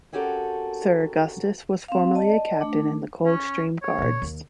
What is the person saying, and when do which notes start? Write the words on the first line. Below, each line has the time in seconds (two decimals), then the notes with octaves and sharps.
Sir Augustus was formerly a captain in the Coldstream Guards.
0.13 C4 C#4 F#4 G4 A4 A#4
1.88 C4 F5
2.15 D5 D#5 A5
2.61 A3 D4
3.25 C#4
3.82 C#5
3.98 A#2 C#3
4.22 D#2